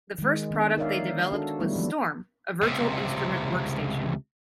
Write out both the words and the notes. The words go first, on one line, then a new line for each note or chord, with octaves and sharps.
The first product they developed was Storm, a virtual instrument workstation.
D#3 G#3
D#3 B3 D4
D#4 A#4 C#5 D5 E5 F5
D4 F#4 A4
D3 G3 A3 B3 E4
E3 F3 G#3 A#3 B3
C#2 C3